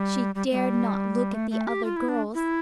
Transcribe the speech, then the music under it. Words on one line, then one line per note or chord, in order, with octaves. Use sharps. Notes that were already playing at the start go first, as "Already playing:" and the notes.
She dared not look at the other girls.
Already playing: G3
G3
A3
G3
A3
A3
G4
F4
E4
D4
E4